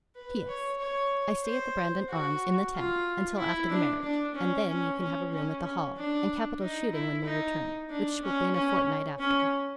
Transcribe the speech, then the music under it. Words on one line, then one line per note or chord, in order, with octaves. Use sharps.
'P.S.--I stay at the Brandon Arms in the town, until after the marriage; and then you can have a room at the Hall, and capital shooting when we return, which will be in a fortnight after.'
B4
C#5
C#5
C5
F#4
F4
E4
D4
D4
C#4
C#4
C#4
C#4
C#4
D4
D#4
E4
D#4
D4
C#4
C#4
C#4